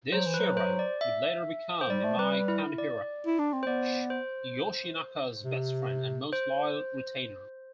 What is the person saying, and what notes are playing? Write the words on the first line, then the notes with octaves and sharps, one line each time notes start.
This Shiro would later become Imai Kanehira, Yoshinaka's best friend and most loyal retainer.
F#3 C5
E3
F#3 B4
C5
D5
E5
C5
G3 D5
A3
G3 B4
E4
D5
E4
D4
C4
C5
B3 D5
C5
C3
C5